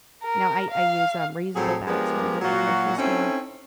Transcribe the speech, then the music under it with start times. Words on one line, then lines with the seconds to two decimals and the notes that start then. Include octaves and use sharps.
you know, I I use, um, reusable bags when I go to the grocery store
0.23 A#4
0.71 F5
1.55 A2 F#3 C4 G#4 A4 C5
1.87 F3 G#3 B3 D4 G4 A#4
2.42 A#2 F#3 F4 F#4
2.97 C4 C#4 D#4 E4 A4 C#5